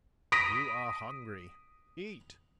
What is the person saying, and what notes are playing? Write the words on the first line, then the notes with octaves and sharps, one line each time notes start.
"You are hungry; eat!"
D#6 A#6 B6 D7